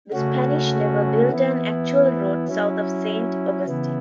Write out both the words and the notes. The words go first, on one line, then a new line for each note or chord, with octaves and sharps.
The Spanish never built an actual road south of Saint Augustine.
C#3 A3 C#4 F#4
E3 B3 E4
F#3 C#4 E4
C#3 E3 B3 E4